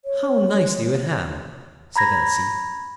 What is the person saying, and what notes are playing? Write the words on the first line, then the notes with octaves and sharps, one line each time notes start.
"How nicely you hem!" said Elsie.
C#5
A#5 B5 G#6 A#6